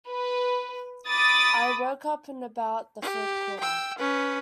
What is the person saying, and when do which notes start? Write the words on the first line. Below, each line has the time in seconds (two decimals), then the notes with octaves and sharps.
I woke up in about the third quarter.
0.10 B4
1.09 B5 D6 D#6 A6
3.02 G4
3.60 G5 E6
3.98 C#4 B4